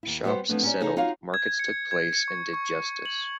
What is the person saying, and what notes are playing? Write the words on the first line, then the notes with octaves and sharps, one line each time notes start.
Shops settled, markets took place and did justice.
D#2 E4
G3 B3 F#4 G#4 B4 C5
F3 F#3 A3 B3 C4 D4
C#4 D#4 G4 A#4 C#5 D5
C#3 D#4 G#4 A4 C#5 D#5
D#4 F4 F#4 C#5 F5
G#6
C#7
G#6
C#7
C#6
C#6
F#7